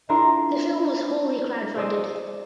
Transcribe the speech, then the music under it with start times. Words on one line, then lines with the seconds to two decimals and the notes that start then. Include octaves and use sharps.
The film was wholly crowdfunded.
0.09 D4 E4 F4 A#4 A#5 C6
1.76 G#4 C5 D5 D#6 E6